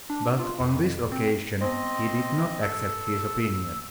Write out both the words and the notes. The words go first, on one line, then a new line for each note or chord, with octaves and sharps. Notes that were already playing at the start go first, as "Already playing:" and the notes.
But, on this occasion he did not accept his opinion.
D4
F4
F2
C4
B3 C4 C5 D#5 C6
A4 E6